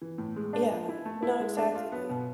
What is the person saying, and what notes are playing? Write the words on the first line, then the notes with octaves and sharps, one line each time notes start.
Yeah. No, exactly.
E3
A2
G#3
D4
F3
E4
A3
E4
G#3
D4
F4
B3
B2